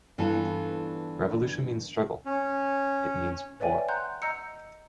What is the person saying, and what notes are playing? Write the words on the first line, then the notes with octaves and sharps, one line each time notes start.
Revolution means struggle: it means war.
G2 E3 B3 F4 A4
C#4
B4 C#5 D5 E5 G5 G#5
F#5 A#5 C6 F#6 G6
D#5 A#5 E6 G6 C#7